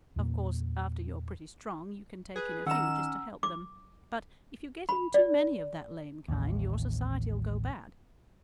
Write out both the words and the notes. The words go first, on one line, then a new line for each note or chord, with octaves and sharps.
Of course after you're pretty strong you can take in a few just to help them; but, if you get in too many of that lame kind, your society'll go bad.
E2 A#2 A#3
G#4 B4
D#3 C#4 F#5 A#5 E6 E7
D6
B5
D5
A1 D#2